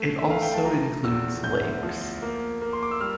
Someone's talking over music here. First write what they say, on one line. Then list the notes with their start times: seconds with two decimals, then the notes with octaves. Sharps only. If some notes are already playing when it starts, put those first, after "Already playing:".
It also includes lakes.
Already playing: A3
0.19 E5
0.26 A3 F5
0.42 G5
0.54 A5
0.65 F3 A#5
1.04 E2 E6
1.43 D2 G6
1.83 F3
2.22 A#3
2.61 A#3
2.73 C6
2.83 D6
2.91 E6
3.00 G3 F6